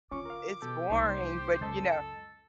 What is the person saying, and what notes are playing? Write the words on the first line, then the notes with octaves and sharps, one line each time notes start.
it's boring, but, you know
D3 C#4 F4 C#6 D6
A#4 F5
B2 G4 A4
C2 A#3 D#4 C5
C#2 F#2 A4 D#5 A5